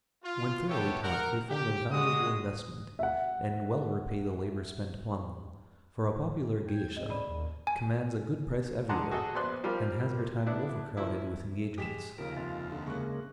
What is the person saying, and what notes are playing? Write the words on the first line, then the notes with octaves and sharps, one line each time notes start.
When thoroughly taught, they form a valuable investment, and well repay the labor spent upon them, for a popular geisha commands a good price everywhere, and has her time overcrowded with engagements.
F4
A3 B3 G4 A4 C#5 G5
A#4 F#5
G4
G#3 F#4 D#6
E5 F#5
G5 G#6
C4 G#4 D#5
C#4 D5 B5 D#7 E7
D#2
G#5
D3 G#3 F#5 A5 A#5 C6
F#4 G#4 A4 D#5
A#1 B3 C5 D5 C6 F#6
F3 G3 C4 F4 G4 A#4
B3 D4 E4
F3 F#3 E4
G#3 G4 B6 E7
D#2 C#3 F3 A#4
F1 F4
D3
C#3 G#3 A#3 C#6 F#6